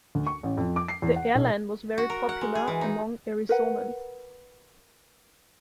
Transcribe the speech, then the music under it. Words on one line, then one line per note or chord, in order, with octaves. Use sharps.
The airline was very popular among Arizonans.
D2
C#6
A1
F2
D6
C7
E2
F#5
B1
F#4
A#4
F#5
G#3
G#4
E3
D#4
A#4 B4 F#5